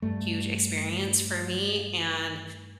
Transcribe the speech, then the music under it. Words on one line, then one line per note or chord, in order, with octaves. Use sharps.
huge experience for me, and
G2 A3